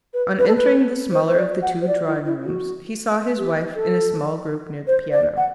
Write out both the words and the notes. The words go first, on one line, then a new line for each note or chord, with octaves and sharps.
On entering the smaller of the two drawing-rooms he saw his wife in a small group near the piano.
B4
B4
A4
B4
C5
C5
D5
F#5
C5
D5
E4
E4
F#4
G4
A4
C5
D5
F#5